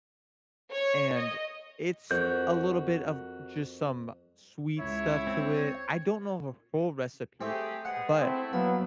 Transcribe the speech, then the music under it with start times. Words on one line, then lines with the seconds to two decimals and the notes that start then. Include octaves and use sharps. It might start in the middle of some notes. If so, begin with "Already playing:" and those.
and it's a little bit of just some sweet stuff to it. I don't know of a full recipe, but
0.72 C#5
1.17 D#5
2.11 F2 F#4 A#4 G6
4.79 C#2 E4 C#5
5.27 C4
7.41 A3 C4 G4 G#4
7.85 G#3 B3 G#4 F#5
8.21 A3 C4 E4
8.53 F#3 A#3 B3